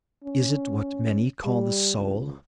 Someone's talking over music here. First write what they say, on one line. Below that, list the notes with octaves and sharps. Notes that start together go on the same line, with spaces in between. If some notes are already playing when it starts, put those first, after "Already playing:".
Is it what many call the soul?
C#4
G3
C#2